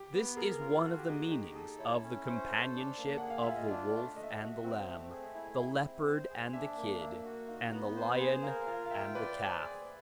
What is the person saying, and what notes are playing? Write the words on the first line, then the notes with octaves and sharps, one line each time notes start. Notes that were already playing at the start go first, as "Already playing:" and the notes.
This is one of the meanings of the companionship of the wolf and the lamb, the leopard and the kid, and the lion and the calf.
Already playing: G4
B3
G#4 A#4
F4
F#4 A4
G4
D#4 G#4
G#4
D#4 G4
G#4 A4
E4 C#5
C#4
C5
A4
D4
A#3
G#4 F#5
F5
F4 E5
D#5
D4 D5
A3
A3 D#5
E5
D#5
F#4
C4 E5
A3
G#4
E4
E4
C4
C5
G#4
D4 E5
A#3
A#3 E5
F#4
D#4 F5
B3
C5
G#4
A#4 F5
F4 F5
F5
E5 G5
B4 D5
C5
G#4